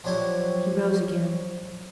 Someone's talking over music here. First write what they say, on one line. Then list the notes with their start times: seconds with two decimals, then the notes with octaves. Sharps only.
He rose again.
0.04 F3 F#3 D4 E4 G4